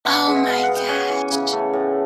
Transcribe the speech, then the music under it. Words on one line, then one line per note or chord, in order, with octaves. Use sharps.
Oh my gosh.
B2 E5 F#5
G#3
E5
B2 F5
B3 F#5
G5
C#4 F#5 G#5
E3
C#3
A3
A2